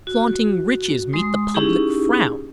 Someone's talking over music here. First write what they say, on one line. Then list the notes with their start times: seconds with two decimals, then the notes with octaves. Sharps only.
Flaunting riches meet the public frown.
0.07 F#4
1.13 G#3 C6 D#6
1.54 C#4 D#4 E4 G4 G#4